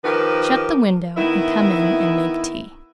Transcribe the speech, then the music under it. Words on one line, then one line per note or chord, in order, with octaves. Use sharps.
Shut the window, and come in and make tea.'
D#3 F3 G4 A#4 B4
D#3 B3 E4